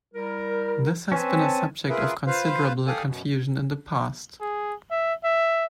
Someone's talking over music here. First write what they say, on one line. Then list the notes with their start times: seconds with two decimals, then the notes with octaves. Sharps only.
This has been a subject of considerable confusion in the past.
0.14 G3 E4 A#4
1.12 C4 C#4 B4 G#5 A5
1.89 F4 G#4 A#4 B4 E5
2.27 F4 B4 C5 F5
2.87 G4 A4 D5 F5 G#5 D#6
3.05 F#2 B2
4.41 G#4
4.90 E5
5.24 E5